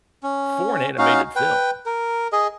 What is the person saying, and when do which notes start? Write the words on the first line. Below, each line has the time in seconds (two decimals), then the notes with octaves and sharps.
for an animated film,
0.23 C#4
0.98 C#4 D#4 F#4 F5
1.36 B4 G5
1.86 A#4
2.32 G#4 D#5